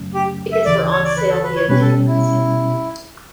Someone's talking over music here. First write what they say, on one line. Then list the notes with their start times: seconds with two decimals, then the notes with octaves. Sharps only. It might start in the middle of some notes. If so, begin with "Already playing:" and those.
Tickets were on sale via Ticketmaster.
Already playing: F#2 C#3 F#3 A3 C#4
0.14 G4
0.52 E5
0.66 D2 C#3 E3 D5
0.91 C#5
1.04 D5
1.17 B4
1.30 A4
1.43 B4
1.56 C#5
1.69 B2 G3 C#4 G4 B4
1.82 A4
2.07 E4